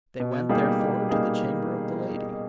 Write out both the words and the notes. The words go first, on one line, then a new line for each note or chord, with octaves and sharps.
They went therefore to the chamber of the lady.
B2
G3 A#3 D#4 G#4
B2
G3 A#3 D#4 G#4